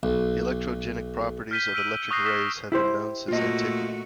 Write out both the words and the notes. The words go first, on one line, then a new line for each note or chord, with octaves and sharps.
The electrogenic properties of electric rays have been known since antiquity.
B1
F6 G6 B6 D#7 G7
E6 F6 D7 D#7 F#7
C#6 D#6 F#6 G6 A#6 C7
D#6 A#6 B6 E7 F#7 G7
E4 G4 C5
A#2 A3 F4 F#4 D#5